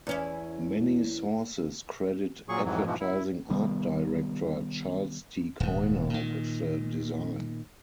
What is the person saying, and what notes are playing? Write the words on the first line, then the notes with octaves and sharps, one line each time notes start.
Many sources credit advertising art director Charles T. Coiner with the design.
E2 C#4 E4
A#2 F#3 G#4 C#6
F2 G#2 E3 F#3
G#2 B2 E3 F3
E4
C3 D#3 G3 B3
D#1 G#2
A#2 D#3